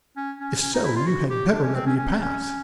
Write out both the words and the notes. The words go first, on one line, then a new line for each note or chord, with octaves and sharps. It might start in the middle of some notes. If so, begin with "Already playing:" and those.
"If so, you had better let me pass."
C#4
C#4
C#4
D#4
E4
F4
F#4
G4
D4
C#4
C4
C#4
C#4
C#4